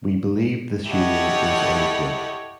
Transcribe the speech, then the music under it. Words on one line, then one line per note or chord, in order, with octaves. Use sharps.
We believe this union is unequal.
E4 G4 A4 C#5 D#5 F#5